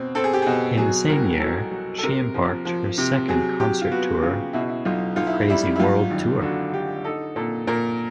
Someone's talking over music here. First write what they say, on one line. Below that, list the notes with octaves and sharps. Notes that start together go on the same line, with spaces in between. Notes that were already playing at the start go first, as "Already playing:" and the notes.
In the same year, she embarked her second concert tour Crazy World Tour.
Already playing: B2 C4
C4 A4
G#4
G4
B2 G#4
F#3 G#4
C2 A#4
F#3 A4
F#3
A4
C3 A#4
F3
F3
C3
F#3 G#4
F#3 G4
F4
B3 F#4
C#3 F4
B2 E4
E4
B1 F4
B1 F4
E4
G3 E4
E4
F#2 F4
G#1
D3 F#4
D3 G4
D#4 A4
A#2 A4
A#2 A#4